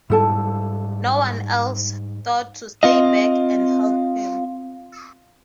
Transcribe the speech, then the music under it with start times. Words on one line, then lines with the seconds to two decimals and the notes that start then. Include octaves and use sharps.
No one else thought to stay back and help him.
0.10 G#2 G3 E4 A4 A5
2.83 C4 F4 D#5